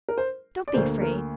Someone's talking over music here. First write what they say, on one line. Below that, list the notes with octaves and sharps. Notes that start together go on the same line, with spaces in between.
Don't be afraid.
A#4
C5
D5
D2 D3 A#3 C5
A#4